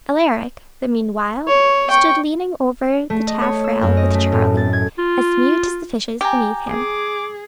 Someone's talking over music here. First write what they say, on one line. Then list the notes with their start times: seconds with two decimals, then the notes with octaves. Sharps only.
Alaric, the meanwhile, stood leaning over the taffrail with Charley, as mute as the fishes beneath him.
1.47 C#5
1.91 G5 C#6
3.10 A3
3.27 D#5
3.42 C#5
3.64 E6
3.82 F#2
3.97 D#5
4.14 A3
4.32 A2
4.57 A6
4.73 G#6
4.99 F4
6.21 G4 G5 G#5 A#5
6.69 G#4 D6